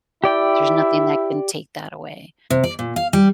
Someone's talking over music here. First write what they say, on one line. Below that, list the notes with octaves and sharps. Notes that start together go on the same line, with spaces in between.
There's nothing that can take that away,
E4 G4 D5 G5
C3
D5
A#2
F5
G3